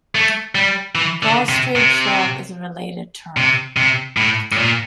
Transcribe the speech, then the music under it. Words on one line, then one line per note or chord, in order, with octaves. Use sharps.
Prostrate shrub is a related term.
A3
G3
E3
D3
C3
C3
C3
C3
A2
A2
A#2